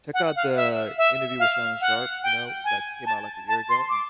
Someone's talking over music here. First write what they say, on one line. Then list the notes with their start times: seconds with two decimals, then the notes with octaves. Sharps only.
check out the interview with Shannon Sharpe, you know, that came out, like, a year ago, and
0.14 F#5
0.36 F5
0.56 E5
0.98 E5
1.39 F5
1.81 F#5
2.23 G5
2.64 G#5
3.06 A5
3.48 A5
3.69 C6
3.89 D6